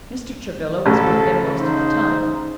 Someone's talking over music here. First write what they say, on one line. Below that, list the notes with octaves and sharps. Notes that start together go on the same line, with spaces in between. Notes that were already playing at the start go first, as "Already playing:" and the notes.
Mr. Travilla was with them most of the time.
A1 C#3 A4
D#4 C5